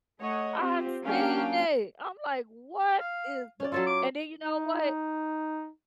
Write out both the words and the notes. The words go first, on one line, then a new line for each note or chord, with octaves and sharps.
I've seen it, I'm like, "What is the" and then you know what?
A3 C#5 D#5 F#5
C4 F4 G4
F#3 A#3 C#4 D4 F5 G5
F5
C#4 D5
F#3 C#4 F4 A4
D6
D#4